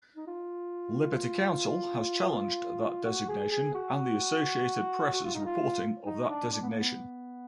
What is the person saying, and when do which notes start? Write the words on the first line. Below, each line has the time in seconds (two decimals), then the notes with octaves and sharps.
Liberty Counsel has challenged that designation and the Associated Press' reporting of that designation.
0.17 D#4
0.27 F4
3.05 F#4
3.28 G#4
3.51 G#4
3.74 F#4
5.13 F#4
5.24 F4
5.34 D#4
5.45 F4
6.06 D#4
6.29 D4
6.52 D4
6.61 B3
6.69 A#3
6.79 B3